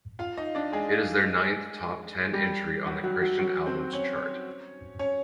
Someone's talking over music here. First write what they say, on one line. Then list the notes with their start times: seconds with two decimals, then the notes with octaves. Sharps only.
It is their ninth top ten entry on the Christian Albums chart.
0.19 F4 F5
0.38 D#4 D#5
0.55 D4 D5
0.72 G#3 G#4
2.33 G3 G4
2.86 F#3 F#4
3.04 F#3 F#4
3.21 F#3 F#4
3.39 F#3 F#4
3.66 C4 C5
3.93 C#4 C#5
4.99 C#4 C#5